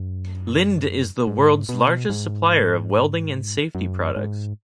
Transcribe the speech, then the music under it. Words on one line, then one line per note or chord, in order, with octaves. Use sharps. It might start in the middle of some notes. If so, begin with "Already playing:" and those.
Linde is the world's largest supplier of welding and safety products.
Already playing: F#2
G#2
B2
G#2
F#2
G#2